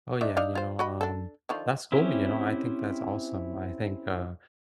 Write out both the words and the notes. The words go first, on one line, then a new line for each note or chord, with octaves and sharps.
Oh, yeah, you know, um, that's cool, you know, I think that's awesome, I think, uh,
D#3 D4 E5
D4 D#4 F5
F4 C5
F#4 D#5 B5
D4 A4
D3 D#3 F3
C4 C#4 E4 G4